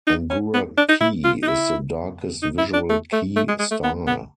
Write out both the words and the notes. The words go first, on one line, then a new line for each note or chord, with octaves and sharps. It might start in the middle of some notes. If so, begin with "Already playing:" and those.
Angura kei is the darkest visual kei style.
D#4
C#4
B3
D4
D#4
E4
F4
D#4
E4
D#4
E4
D4
A3
A3
A3
G#3
G#3
A3
B3
B3